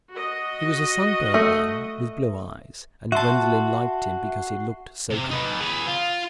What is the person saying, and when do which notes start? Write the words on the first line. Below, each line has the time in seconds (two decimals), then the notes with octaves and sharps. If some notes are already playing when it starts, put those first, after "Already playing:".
He was a sunburnt man with blue eyes, and Gwendolen liked him because he looked so kind.
0.11 F#4 D#5
1.34 A3
3.12 F#4 E5 A5 C6
5.10 C3
5.31 D#4 B4
5.61 G#4 B4
5.87 F4